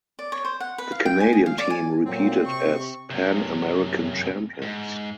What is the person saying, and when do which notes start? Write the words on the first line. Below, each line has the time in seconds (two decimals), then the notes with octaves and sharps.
The Canadian team repeated as Pan American Champions.
0.19 D5
0.32 C#5
0.45 C5
0.60 F#5
0.78 B4
0.92 F5
1.06 G5
1.21 G#5
1.33 G#4
1.46 F5
1.58 D5
1.70 G#5
2.05 F2 A#2 F#3 C4
2.46 C3 C#6
3.11 F#2 C3
4.62 G#2